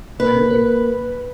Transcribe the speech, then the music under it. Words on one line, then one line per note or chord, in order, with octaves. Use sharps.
I know it
A#3 B4